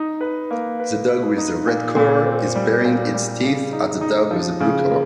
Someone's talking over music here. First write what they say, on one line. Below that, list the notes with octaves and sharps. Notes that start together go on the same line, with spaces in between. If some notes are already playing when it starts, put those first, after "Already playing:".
The dog with the red collar is bearing its teeth at the dog with the blue collar.
Already playing: D#4
B4
A#3
B4
B4
D#4
A#2
A#2
C4
G3
A#2
G3
C#3
D#4
D#4
F3
C#3
A#3